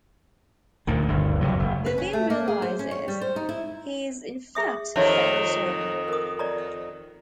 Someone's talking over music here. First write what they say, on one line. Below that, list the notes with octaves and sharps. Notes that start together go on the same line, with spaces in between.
Vivian realizes he is in fact Faber John.
D2 A#2 D#3
G1 D2 G2
C#2 C3 F#3
F#1
B4
C#4
A3
A#3
G#4
C5
C#4
C#5
G3
C5
D#4
E4
G#4 E5 D#6
F2 D#3 G4 C#5 E5
A#4 D#6
D5 D#5 A#5